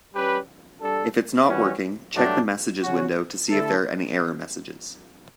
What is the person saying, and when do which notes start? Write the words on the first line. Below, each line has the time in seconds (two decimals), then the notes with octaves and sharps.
If it's not working, check the messages window to see if there are any error messages.
0.14 G3 C#4 G4 B4
0.81 G3 D4 A4
1.48 E3 G3 C#4 F#4
2.15 G2 F#3 A3 D4 G4
2.82 C#3 F#3 C#4 F#4
3.49 D3 A3 E4 A4